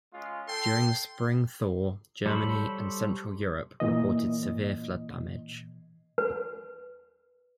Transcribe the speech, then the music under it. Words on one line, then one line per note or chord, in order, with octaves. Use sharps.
During the spring thaw, Germany and Central Europe reported severe flood damage.
G#3 C#4 F4
A4 G5 C6
G3 A4 C5 C#5 B5
A#2 E3 D#5
B4